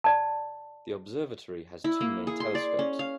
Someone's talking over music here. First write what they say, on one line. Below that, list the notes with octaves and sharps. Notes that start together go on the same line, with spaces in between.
The observatory has two main telescopes.
D5 A5
E4
A#3
G#4
C6
D5
C#4
F5